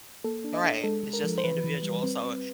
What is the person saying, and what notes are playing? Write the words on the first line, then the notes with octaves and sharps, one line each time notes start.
Right. It's just the individual. So
A#3 A4
D4
D#5
D4
G#3 A4
G#3
A#4
F3
C5
E3 B4
E3
G3
C4
C4